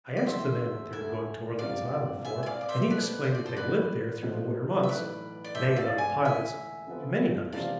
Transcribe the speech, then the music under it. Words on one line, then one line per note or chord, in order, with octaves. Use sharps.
I asked the man what they were going to Orleans Island for, and he explained that they lived there through the winter months--they and other pilots, many others.
D5
E2 D3 G#3 D4 C5 E5
D2 D3 A3 E5 G#5
E1 E2 C3 F3 D5 F5
A2 G#3 C4 E4 E5 G#5
G#5
D5 F5
D5
C5 E5
E5
B1 B2 A3 C4 B4 D5
C5
D5
A4 C5
G#2 E3 G#3 B3 B4 D5
A2 F3 G#3 B3
E5
B1 A2 E3 A3 B4 D5
D5
E1 E2 B2 B3 C5 E5
D5 F5
G#5
E2 D3 A3 E4 E5 G#5
F2 D3 F3 B3
E1 E2 C3 F3 D5 F5